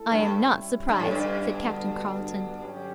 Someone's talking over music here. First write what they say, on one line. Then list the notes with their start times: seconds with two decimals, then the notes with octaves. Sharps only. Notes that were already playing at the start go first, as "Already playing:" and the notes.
"I am not surprised," said Captain Carleton.
Already playing: A3 E4 A4
0.12 G2
0.31 G3 C#4 E4
0.89 G2
1.00 A2
1.11 G2
1.46 D3 G3 B3 D4 F#4
2.63 D3 F#3 C#4 G4